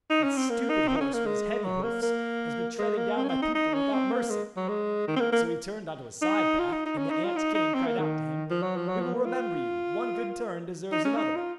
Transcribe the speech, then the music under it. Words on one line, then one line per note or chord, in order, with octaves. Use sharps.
That stupid horse, with his heavy hoofs, has been treading down my people without mercy!' So he turned on to a side path and the ant-king cried out to him: 'We will remember you--one good turn deserves another!'
D#4
C#4
C4
A#3
D#4
C4
D#4
C#4
A#3
G#3
F#3
A#3
A#3
G#3
A#3
C4
C#4
C4
D#4
D#4
C#4
C4
A#3
G#3
F#3
G#3
D#3
C4
A#3
A#3
D#4
F4
D#4
D#4
C#4
D#4
F4
D#4
D#4
C4
A#3
D#3
F3
F#3
F3
F#3
F3
A#3
F4
D#4
C#4
D#4
F4